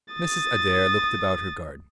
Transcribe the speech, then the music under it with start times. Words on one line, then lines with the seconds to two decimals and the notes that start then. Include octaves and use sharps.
Mrs. Adair looked about her garden.
0.14 D#6 A6